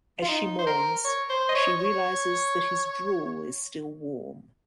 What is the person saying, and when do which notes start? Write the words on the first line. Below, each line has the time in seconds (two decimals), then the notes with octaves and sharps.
As she mourns, she realizes that his drool is still warm.
0.22 F4
0.28 D#4
0.59 C5
0.66 A#4
1.04 C#5
1.29 C5
1.49 D#5
1.55 C#5
1.79 C#5